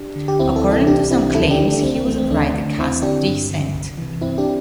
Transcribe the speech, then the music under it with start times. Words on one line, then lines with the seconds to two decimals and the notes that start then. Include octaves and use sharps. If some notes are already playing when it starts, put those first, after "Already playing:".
According to some claims he was of writer caste descent.
Already playing: D4 G4
0.16 D3
0.28 G4
0.39 D2 C4 E4
0.56 E4 A4
0.64 C3 E3
0.71 E4 A4
0.87 C2 D4 G4
1.11 C3 E3 C4 E4
1.34 D2 E4 A4
1.51 D4 G4
1.59 D3
1.67 A3 D4
1.83 C2 C4
1.95 C4
2.07 C3 E3 A3
2.18 C4
2.30 D2 A3 D4
2.55 D3
2.78 E2 C4 E4
3.02 D3 D4 G4
3.27 G2
3.51 D3
3.74 C2
3.97 C3 E3
4.21 G2 C4 E4
4.38 D4 G4